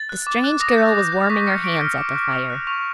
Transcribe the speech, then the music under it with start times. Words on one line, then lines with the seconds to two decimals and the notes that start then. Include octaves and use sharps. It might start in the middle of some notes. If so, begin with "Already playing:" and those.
The strange girl was warming her hands at the fire.
Already playing: A6
0.09 F#6
0.27 D6
0.44 F#6
0.60 D#6 A#6
0.78 G6
0.95 D#6
1.12 G6
1.30 C#6 B6
1.47 F6 C#7
1.64 C#6 D7
1.81 F6
1.98 D6
2.15 F#6
2.33 D6 F7
2.50 F#6
2.67 C#6 F7